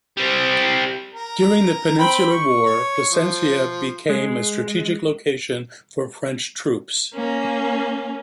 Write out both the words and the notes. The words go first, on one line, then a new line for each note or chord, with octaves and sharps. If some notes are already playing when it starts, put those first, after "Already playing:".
During the Peninsular War, Plasencia became a strategic location for French troops.
G3 C4
A#4
C4 G5 B5
C#6
C#5
F3
G#3
A#3 C#4